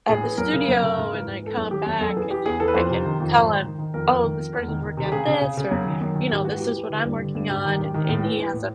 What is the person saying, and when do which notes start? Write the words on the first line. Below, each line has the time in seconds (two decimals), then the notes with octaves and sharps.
at the studio and I come back and then I can tell him, "Oh, this person's working on this," or, you know, "This is what I'm working on," and and he has an
0.09 A2 G#4
0.23 E3
0.38 F#2 A#4
0.53 C#3
0.68 F#2
0.82 C#3
0.98 G#2
1.13 E3
1.27 G#2
1.42 E3 A4
1.57 F#2 G#4
1.71 D#3 G4
1.86 F#2
2.01 F#2 A4
2.17 E3 G#4
2.31 E3 G4
2.46 E2 G#4
2.60 E3 A4
2.68 B4
2.75 F2 C5
2.90 C3
3.05 D#3
3.20 F2
3.35 G#2
3.50 D#3
3.64 D#3
3.78 D#3
3.94 F2 A#4
4.09 F2
4.24 D#3
4.38 F2
4.53 E2
4.68 D#3
4.83 D#3
4.97 C3
5.06 G4
5.12 C#3 G#4
5.27 C#3
5.42 C#3
5.57 C#3
5.71 F#2
5.86 D#3
6.01 F#2
6.16 D#3
6.31 G#2 G4
6.45 E3 F#4
6.58 E3 G4
6.76 E3
6.90 D3
7.05 G2
7.20 D3
7.35 G2
7.49 G#2 G4
7.65 D#3
7.78 G#2
7.94 D#3
8.09 A2
8.24 E3
8.38 E3
8.53 A2